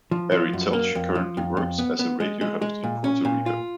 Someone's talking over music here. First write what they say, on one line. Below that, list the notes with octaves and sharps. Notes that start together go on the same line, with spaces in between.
Ari Telch currently works as a radio host in Puerto Rico.
F3
F3
F#2
A#3
F2
F3
F2
F2
B3
B3
G#3
G#3
G#3
A#2
C#4
A#2
F4